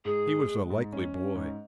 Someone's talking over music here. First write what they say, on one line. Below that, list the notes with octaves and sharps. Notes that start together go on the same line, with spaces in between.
He was a likely boy.
G#2 G#4
G#3
G#3
G#2
C#4
C#4
G#2